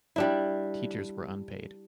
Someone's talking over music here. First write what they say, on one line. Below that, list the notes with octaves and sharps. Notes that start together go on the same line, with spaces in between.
Teachers were unpaid.
G3 D4 E4